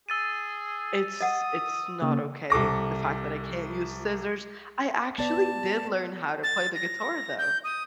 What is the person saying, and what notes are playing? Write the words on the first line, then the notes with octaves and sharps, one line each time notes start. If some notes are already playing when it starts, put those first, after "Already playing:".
It's it's not okay, the fact that I can't use scissors I actually did learn how to play the guitar, though,
G#4 E6 A6 D#7
D#5 F#5 D#6
C#3 A#3
C2 A4 D6 A#6
B3 D5 A5
A6
A#6
G6
D#6